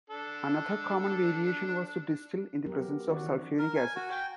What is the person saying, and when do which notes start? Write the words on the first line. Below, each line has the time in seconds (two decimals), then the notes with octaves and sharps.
Another common variation was to distill in the presence of sulphuric acid.
0.10 D4 A4
2.66 F#3 B3 G4 A#4
3.08 D#3 E3 C#4 F#4 D5
3.59 A#4
3.76 G#5
3.96 F#4
4.11 G5